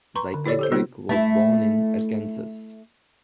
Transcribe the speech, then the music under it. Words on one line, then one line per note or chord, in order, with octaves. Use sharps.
Zeichiedrich was born in Arkansas.
B4 A#5 C6 C#6
D3
E4 G4 A4 C#5 D5
G4 A4 C5
G3 A#3 B3 D#4 F4
A3 E4